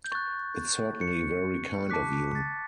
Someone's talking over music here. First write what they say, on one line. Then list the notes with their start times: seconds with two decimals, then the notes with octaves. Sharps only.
It's certainly very kind of you.
0.04 G6
0.12 C#6 F#6 A6
1.01 C#7
1.90 A5 D6 F#6 B6
2.35 A6